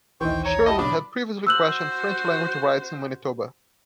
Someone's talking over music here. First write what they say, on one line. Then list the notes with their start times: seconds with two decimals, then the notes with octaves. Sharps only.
Sherman had previously questioned French-language rights in Manitoba.
0.21 A#1 D#2 E3 D#4 C5 G5 C#6
0.45 C#5 A#5
0.66 E4 G4 D#5 A5 D#6
0.79 B1 D4 B5 D6
1.47 F#4 C5 E6 F#6 F#7